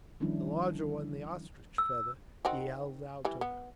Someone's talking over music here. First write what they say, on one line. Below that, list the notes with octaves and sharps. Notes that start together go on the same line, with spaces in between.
The larger one, the ostrich feather, he held out to her.
D#3 F3 G3 C#4 D4 E4
E6
D#3 C4 F#4
E3 G3
B3